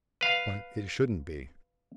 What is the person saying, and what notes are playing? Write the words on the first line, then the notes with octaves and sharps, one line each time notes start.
But it shouldn't be.
B4 F5